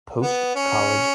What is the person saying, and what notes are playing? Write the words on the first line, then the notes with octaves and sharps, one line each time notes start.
Post College.
B3
C#4